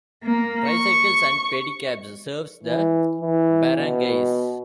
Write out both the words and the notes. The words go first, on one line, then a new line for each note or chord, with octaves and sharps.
Tricycles and pedicabs serves the barangays.
A#3
C#6
E3
E3
B2